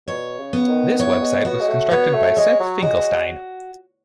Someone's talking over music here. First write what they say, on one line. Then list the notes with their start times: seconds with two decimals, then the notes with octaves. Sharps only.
This website was constructed by Seth Finkelstein.
0.07 B2 C#5
0.39 C#3
0.53 B3
0.69 D#3
0.99 E3 C#5
1.22 G#3
1.45 B3 F#4
1.60 G#3
1.68 A3
1.91 B3 C#5
2.13 A3
2.37 G#3 C#5
2.60 F#3
2.82 G#3 F#4